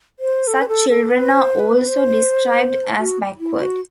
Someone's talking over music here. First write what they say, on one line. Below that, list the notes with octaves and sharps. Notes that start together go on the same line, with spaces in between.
Such children are also described as backward.
C5
A4
B4
A4
A4
B4
C5
B4
C5
F#4
E4
F#4